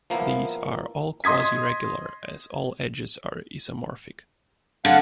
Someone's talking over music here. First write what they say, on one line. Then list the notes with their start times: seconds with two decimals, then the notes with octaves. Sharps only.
These are all "quasi-regular" as all edges are isomorphic.
0.10 F3 A#3 B3 E4
1.24 D#5 C6 D#6 G#6 B6
4.85 D3 F5 F#5